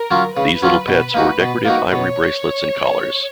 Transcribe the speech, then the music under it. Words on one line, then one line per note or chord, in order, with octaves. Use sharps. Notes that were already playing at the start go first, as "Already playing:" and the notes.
These little pets wore decorative ivory bracelets and collars.
Already playing: A#4
F#3 C#4 F4
C#3 B4
F#3 C#4 F4
B2
A#3 D#4 F#4
B2
A#3 D#4 F#4
B2 C#5